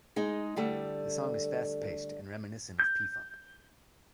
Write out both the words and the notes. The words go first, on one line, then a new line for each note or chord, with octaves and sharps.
The song is fast-paced and reminiscent of P-Funk.
G#3 D#4
D3 G3 A3
G6